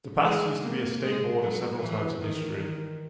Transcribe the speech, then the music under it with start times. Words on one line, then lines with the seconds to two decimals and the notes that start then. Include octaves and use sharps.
The pass used to be a state border several times in history.
0.23 G#3
0.63 A#3
1.03 G#3
1.42 F#3
1.82 E3
2.21 D#3
2.61 D#3